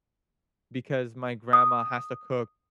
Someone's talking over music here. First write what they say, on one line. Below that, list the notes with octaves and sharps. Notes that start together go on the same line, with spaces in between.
because my grandma has to cook
D#6